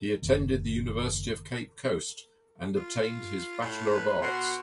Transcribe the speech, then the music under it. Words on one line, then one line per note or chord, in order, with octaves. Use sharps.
He attended the University of Cape Coast and obtained his Bachelor of Arts.
F#1 D#2
F4
A2
B4
B2 F#4 F#5 C6